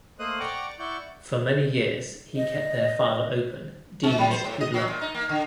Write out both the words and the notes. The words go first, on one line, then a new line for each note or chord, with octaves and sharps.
For many years, he kept their file open, deeming it good luck.
A3 A#3 C5 D#5 D#6 F#6
D5 F#5 G5 A#5 C#6 D6
E4 D5 F#5 C#6 G6
D#5
G#3
F#3
C5
A2
D#5
F#3
A#2
D#4
A#3
D3